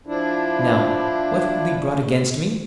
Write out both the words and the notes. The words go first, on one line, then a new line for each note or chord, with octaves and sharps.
Now, what will be brought against me?
F3 D4 E4